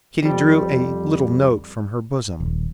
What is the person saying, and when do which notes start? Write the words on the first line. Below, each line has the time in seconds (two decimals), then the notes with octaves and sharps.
Kitty drew a little note from her bosom.
0.22 F2 G3
2.40 D#1